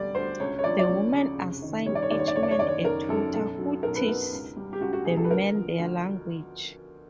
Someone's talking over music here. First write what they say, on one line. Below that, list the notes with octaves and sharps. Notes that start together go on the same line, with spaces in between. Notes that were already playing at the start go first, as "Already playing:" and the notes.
The women assign each man a tutor who teaches the men their language.
Already playing: E1 D3 G3 D5
D2 C5
C#2 C#5
C#5
F3 D5
D5
C#2 C#5
C#3
F1
D#3
G3 C#5
D5
C#5
D#2 D5
C#5
D5
F#1 C#5
D5
C#5
D#3 D5
C#5
F#1 A#4
F#2 A4
B1 A4
F#3
B1 A#4
B4
B2 A#4
C#2
G3
G4
C#2 F#4
F#4
B2 G#4
A4
B4
D2 A#4
F3
D2